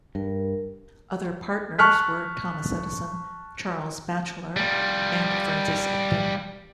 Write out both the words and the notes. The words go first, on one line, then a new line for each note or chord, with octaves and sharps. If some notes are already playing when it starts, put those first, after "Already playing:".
Other partners were Thomas Edison, Charles Batchelor, and Francis Upton.
G2 A#4
A5 C#6 F6 F#6 B6
G3 F4